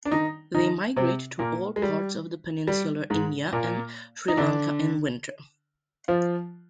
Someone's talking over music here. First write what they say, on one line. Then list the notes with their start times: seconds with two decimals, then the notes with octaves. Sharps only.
They migrate to all parts of peninsular India and Sri Lanka in winter.
0.05 D4
0.12 D#3 D#4
0.54 D#3 D#4
0.96 C3 C4
1.39 A#2 A#3
1.76 G#3
1.82 G3
2.67 G3
3.10 G#2 G#3
3.53 A#2 A#3
4.28 D#4
4.37 D3 D4
6.08 F3 F4